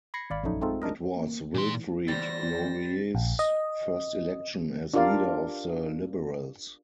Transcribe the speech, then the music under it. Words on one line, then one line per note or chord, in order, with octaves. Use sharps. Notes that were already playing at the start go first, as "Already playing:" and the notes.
It was Wilfrid Laurier's first election as leader of the Liberals.
B5 G#6 A#6 C7 C#7
G#1 D5 F5 B5
A#1 F#2 F#3 A3 D#4
G#3 A3 C4 D#4 F4 A4
G#3 D4 A#4 D#5
A#3
A#2 E3 C6
E2 G3 C5 A6 A#6
A#1
D#5
D4 F4 G4 A#4 D5 F5